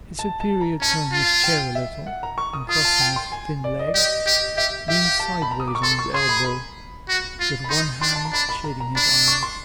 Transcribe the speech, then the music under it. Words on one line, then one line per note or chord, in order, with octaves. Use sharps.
His superior turning his chair a little, and crossing his thin legs, leaned sideways on his elbow, with one hand shading his eyes.
A5
A5
A#5
C#4 A5
F4
G5
E5
F#5
A#5
C#6
D#6
F4 D#6
A5
G5
C6
G#5
D5
D#5
D5
G4 D#5
G4
G4 E5
G4 E5
F5
A5
B5
A#5
D#6
D6
C#6
A4 C6
C#6
G#4 C6
B5
A#5
B5
F#4
F4
B5
D#4 C6
D4 C6
A5
A#5
D4 B5
B5
A#5
A#5
D4 B5
C#6
C6